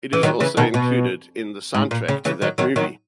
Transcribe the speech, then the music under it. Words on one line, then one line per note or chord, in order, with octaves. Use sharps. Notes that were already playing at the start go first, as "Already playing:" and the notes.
It is also included in the soundtrack to that movie.
E3
D#3 F#3
C#3 E3
B2 D#3
B2
G#2
A#2
C#3
C#3 E3
D#3 F#3
D#3 F#3
D#3 F#3